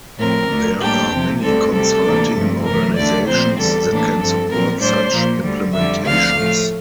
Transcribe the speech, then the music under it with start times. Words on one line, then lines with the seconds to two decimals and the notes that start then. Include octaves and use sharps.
There are many consulting organizations that can support such implementations.
0.18 A2 F3 C4 A#4
0.50 D2 D3 A3
0.80 A2 G3 A#3 D4 G4
1.12 C3 F3 C4
1.43 D2 D3 G3 C4 A4
1.72 C3 G3 C4 A4
2.04 D2 C3 E3 A#3 D4
2.35 G2 F3 A3 C4
2.65 C3 E3 A3 A#4
2.97 D2 D3 A3 D4 D5
3.27 A#2 F3 C4 C5
3.57 E2 D3 G3 A4
3.89 A2 E3 A#3 D4
4.20 G2 F3 C4 A4
4.50 A#2 F3 C4 A#4
4.81 A2 G3 D4 C5
5.12 A#2 F3 A#3
5.43 D2 D3 G3
5.73 F2 D3 G3 E5
6.05 D2 D3 F3 C4 F5
6.36 A2 F3 A3